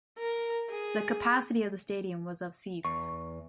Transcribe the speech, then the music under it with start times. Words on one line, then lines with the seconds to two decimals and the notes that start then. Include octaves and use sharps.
The capacity of the stadium was of seats.
0.18 A#4
0.70 G#4
2.85 E2 C#6